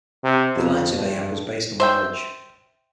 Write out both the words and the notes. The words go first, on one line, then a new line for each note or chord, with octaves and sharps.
The alliance with Ahab was based on marriage.
C3
F2
G2
C5 E5 G5